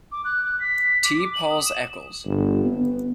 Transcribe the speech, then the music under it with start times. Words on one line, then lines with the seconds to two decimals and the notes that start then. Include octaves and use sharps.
T. Paul's Eccles.
0.12 D6
0.25 F#6
0.45 F#6
0.60 B6
1.03 D6
1.18 D6
1.34 F#7
1.50 D#6
1.66 E7
2.25 G1
2.66 B3